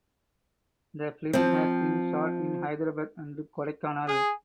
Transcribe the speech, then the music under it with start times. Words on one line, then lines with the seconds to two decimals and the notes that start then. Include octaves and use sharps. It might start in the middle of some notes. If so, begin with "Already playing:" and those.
The film has been shot in Hyderabad and Kodaikanal.
1.33 F3 C4
4.08 G#4